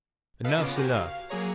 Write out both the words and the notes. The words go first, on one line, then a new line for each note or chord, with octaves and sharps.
Enough's enough.
A4 B4 D#5 F5
C#3 B3 C#4 F4 D6 A#6
F#4 G4 A#4 C5 G#5
F5
F#3 A#3 G#4 C#5 A#5